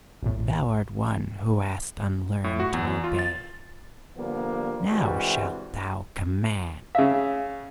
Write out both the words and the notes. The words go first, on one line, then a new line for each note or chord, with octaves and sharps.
Thou art one who hast unlearned to obey: now shalt thou command!
A1 E2 A2
A2
F#4
E2
E2
F4
A6
D3 F3 G3 A#3 B3
G2 C3 E3 G3 G#3 F#4
C#3 E5 F5